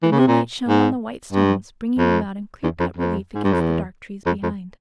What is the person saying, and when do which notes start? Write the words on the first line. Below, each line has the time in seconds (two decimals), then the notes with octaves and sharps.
The moonlight shone on the white stones, bringing them out in clear-cut relief against the dark trees behind.
0.02 E3
0.11 C#3
0.19 C3
0.28 A#2
0.68 G#2
1.33 G2
1.98 F2
2.63 E2
2.79 F2
2.96 F2
3.35 G#2
3.44 G2
3.53 F2
3.60 E2
4.26 F2
4.43 F2